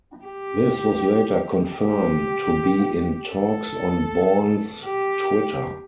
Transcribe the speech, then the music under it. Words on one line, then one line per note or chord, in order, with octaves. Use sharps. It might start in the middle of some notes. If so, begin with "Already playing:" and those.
This was later confirmed to be in talks on Bourne's Twitter.
G4
G4
A4
G4